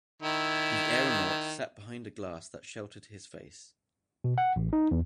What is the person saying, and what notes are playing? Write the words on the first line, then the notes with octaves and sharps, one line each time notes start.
The aeronaut sat behind a glass that sheltered his face.
D#3 E4
B2
F#5
A1
D#4
E2